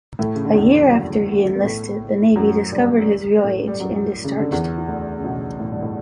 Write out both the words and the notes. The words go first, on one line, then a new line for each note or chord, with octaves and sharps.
A year after he enlisted, the Navy discovered his real age and discharged him.
A2 A3
C#3
D3
E2 E3
G3
F#2 F#3
B3
A2 A3
F#2 F#3
G2 G3
G3
A2 A3
G3
F#2 F#3
C#3
D3
E2 E3
E3
D2 D3
C#3
B1 B2
A2
G2
A2